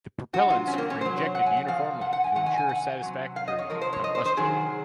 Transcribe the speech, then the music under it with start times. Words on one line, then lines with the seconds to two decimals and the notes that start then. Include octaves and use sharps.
The propellants were injected uniformly to ensure satisfactory combustion.
0.33 F#3 F#4
0.36 C3
0.50 F4
0.67 C#4
0.73 C4
0.78 A#3
0.90 C#4
1.01 C3 C5
1.06 F#3
1.17 C#5
1.35 F#5
1.46 G#5
1.57 F#5
1.68 C3 F3 F5
2.01 F#5
2.13 F#5
2.24 G#5
2.35 C3 D#3 F#5
2.46 G#5
2.58 G#5
2.69 F#5
3.02 C3 F#3
3.36 F5
3.48 D#5
3.59 C#5
3.70 C3 F3 G#3 A#4
3.81 C5
3.93 C#5
4.04 D#5
4.15 C5
4.26 C5
4.37 C3 D#3 F#3 G#4